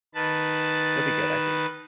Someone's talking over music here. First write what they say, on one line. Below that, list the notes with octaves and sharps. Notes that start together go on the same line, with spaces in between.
it'll be good, I think.
D#3 B4 A5